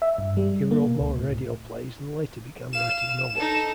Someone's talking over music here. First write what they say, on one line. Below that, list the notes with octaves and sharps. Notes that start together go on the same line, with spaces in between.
He wrote more radio plays and later began writing novels.
E5
G2
G3
A#3
B2
C#2
A2
F5 E7
D#4 A4